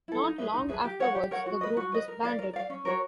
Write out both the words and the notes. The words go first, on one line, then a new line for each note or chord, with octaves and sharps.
Not long afterwards the group disbanded.
E4 A4
D#4
G#4 B4 E5
D#4
G#4 B4 E5
G4
A#4 C#5 F#5
G4
A#4 C#5 F#5
F#4
B4 D#5
F#4
B4 D#5
A#4
D5 F5
A#4
D5 F5
C#4
F#4 A#4 C#5